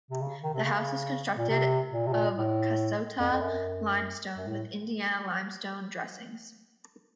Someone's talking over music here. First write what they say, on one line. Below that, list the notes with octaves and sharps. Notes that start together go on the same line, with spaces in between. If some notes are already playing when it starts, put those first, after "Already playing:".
The house is constructed of Kasota limestone, with Indiana limestone dressings.
C3
C#3
D#3
C3
C#3
A#2
C3
A#2
C3
A#2
A2
F2
F2
F#2
F#2
A2